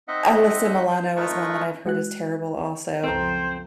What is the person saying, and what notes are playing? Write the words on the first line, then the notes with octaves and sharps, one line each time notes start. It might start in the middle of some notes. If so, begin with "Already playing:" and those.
Alyssa Milano is one that I've heard is terrible, also,
C4 D#4 D#5 E5 F#5
C5
A3 D#4 F4 A#4 B4 C#6
G#3 F#4 F#6
C#2 F#2 F3 C4 A4 C5 A#5